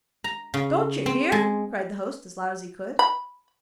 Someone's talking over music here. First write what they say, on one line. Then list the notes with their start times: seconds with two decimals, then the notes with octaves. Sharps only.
'Don't you hear?' cried the host as loud as he could.
0.24 A#5
0.54 C#3
1.06 C4
1.32 G#3
2.99 B5